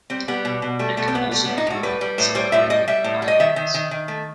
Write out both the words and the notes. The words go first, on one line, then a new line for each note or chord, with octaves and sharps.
It can also be heard in some Caribbean islands.
G3 C4
G3 B3
B2
B2
G3 A3
B2 A3
C4
B2 B3
G3 A3
B3
A2
D#4
A2 F#4
G3 B4
G3
A2
G3 C5
A2 E5
G3 D#5
G3 E5
A2
G3
D#5
D#3 E5
D#3
D#3
D#3
A3